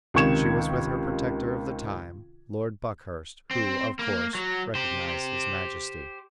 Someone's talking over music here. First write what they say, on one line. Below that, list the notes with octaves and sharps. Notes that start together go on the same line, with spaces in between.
She was with her protector of the time, Lord Buckhurst, who, of course, recognized his majesty.
C#2 C3 D#3 C#6 G#6 E7
C4
A#3
F#3
G4 C5